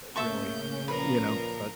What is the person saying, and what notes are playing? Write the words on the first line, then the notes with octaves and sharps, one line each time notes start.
really, uh, you know, but
A2 C#3 A#3 C#4 E5 A5 C#6 G6
A#2 F3 A#4 B4 A#5